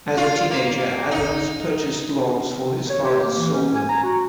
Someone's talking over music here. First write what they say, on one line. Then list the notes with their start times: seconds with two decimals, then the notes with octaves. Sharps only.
As a teenager Adams purchased logs for his father's sawmill.
0.17 F4
0.50 A#3
1.11 D#4
2.90 C#5
3.04 G4
3.24 A#3
3.38 E3
3.53 C#4
3.76 G#5
3.89 A#5
4.03 F#4